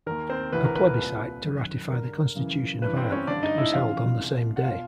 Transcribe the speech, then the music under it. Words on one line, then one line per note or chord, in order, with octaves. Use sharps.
A plebiscite to ratify the Constitution of Ireland was held on the same day.
D#2 D#3 A#4
C4 C5
D2 C3 E3 B4
A#4
B4
B4
C2 A#2
F#2 D#3
G2 D3 A#4
F#2 C#3 E3
G2 E3 B4
C4 C5
C#4 C#5
G2 D3 D4 D5
D#4 D#5
E4 E5
F2 C#3 E3 F4 F5
C2 B2
F#5
B2 F4 F5